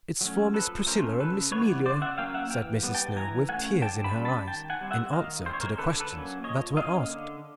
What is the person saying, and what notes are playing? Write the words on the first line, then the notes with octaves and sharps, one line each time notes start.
"It's for Miss Priscilla and Miss Amelia,'" said Mrs. Snow, with tears in her eyes, in answer to the questions that were asked.
F#3 A3 C#4
F3 A4 B4
A3 C#4 A#4 C5
C#3 A4 B4
E3 G3 B3 B4 C#5
C#3 C5 D5
E5 F#5
F#3 A#3 C#4 F5 G5
E5 F#5
E3 F5 G5
G3 B3
G5 A5
E3 G#5 A#5
A3 C#4 F#5 G#5
D3 G5 A5
A5 B5
G3 A#3 C#4
A5 B5
D#3 G5 A5
F#5 G#5
G3 C4
E5 F#5
D#3 D#5 F5
G#3 C4 C5
C#5
A#4 C5
D3 A4 B4
A4 B4
F#3 A#3 C#4
F3 C#5 D#5
A#3 C#4 D#5 F5
D3